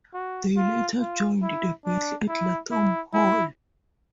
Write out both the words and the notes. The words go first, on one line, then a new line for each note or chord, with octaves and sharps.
They later joined the battle at Lathom Hall.
F#4
F4
F4
E4
D4
E4
E4
E4